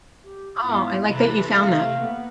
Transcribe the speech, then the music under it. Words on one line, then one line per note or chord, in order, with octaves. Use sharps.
Oh, I like that you found that.
G4
G#2 B3 E4 F4
C3 E3 A4 B4
A3 F5
A#3 B3